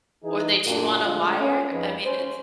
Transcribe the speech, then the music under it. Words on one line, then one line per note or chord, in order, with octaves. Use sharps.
or they chew on a wire. I mean, it's
E3 D#4 G#4
F#2 A#2 D4 F#4
D3 G#3 A3 C4 F4
C#4
F2 F3 C4 D#4 G#4 B4
C#4 C5